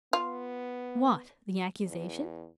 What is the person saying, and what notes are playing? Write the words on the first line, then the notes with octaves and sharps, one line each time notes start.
"What? the accusation?"
B3 F4
E2